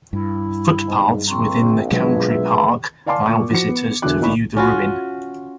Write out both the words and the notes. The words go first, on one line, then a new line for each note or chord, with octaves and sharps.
Footpaths within the country park allow visitors to view the ruin.
G2 E4
E2 G#2
A#1 C4 A#5 C6 C#6
B2 F#3 G#3 G#4 B4
E5
D5 F5 G#5 A5 C6 D6
A#2 C#6
F3 F#4 C#7
B3
E1 D3 E3 F#3 D6 F#6
B1 A#2 D#4 B5 C#6
C#4 F4 F#4